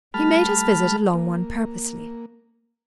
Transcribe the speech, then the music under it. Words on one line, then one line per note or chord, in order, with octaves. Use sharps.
He made his visit a long one purposely.
G3 A3 A5 B5 F6
A#3